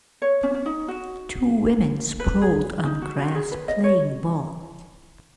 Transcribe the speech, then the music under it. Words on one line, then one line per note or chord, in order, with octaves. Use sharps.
Two women sprawled on grass playing ball.
C#5
C#4
C#4
D#4
F#4
B4
G#4
D#4
F#4
F#4
G#4
B4
D#5
C#5